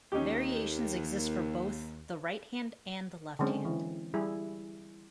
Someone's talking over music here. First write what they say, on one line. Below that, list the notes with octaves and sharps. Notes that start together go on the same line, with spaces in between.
Variations exist for both the right hand, and left hand.
D#2 C#4 D#4 G4
D3 F#3 G#3 C4 C#4
E3
G3 E4 G#4